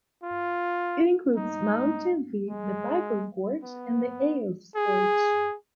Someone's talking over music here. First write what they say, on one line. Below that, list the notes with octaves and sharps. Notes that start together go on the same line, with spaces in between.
It includes Mount Tymfi, the Vikos Gorge and the Aoos Gorge.
F4
D#4
G#3
B3
G#4